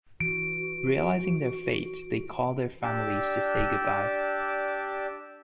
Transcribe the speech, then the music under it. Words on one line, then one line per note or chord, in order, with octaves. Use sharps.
Realizing their fate, they call their families to say goodbye.
E3 F#4 D7
D4 G4 D5 E6